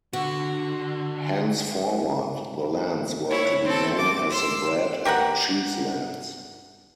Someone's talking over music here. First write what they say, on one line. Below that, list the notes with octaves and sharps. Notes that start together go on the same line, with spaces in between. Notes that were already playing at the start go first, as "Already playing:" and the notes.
Henceforward, the lands were to be known as the Bread and Cheese Lands.
D3 F#4
E4 C#5
C4 A4
D6
C6 E6
G4 A#4 B4 F#5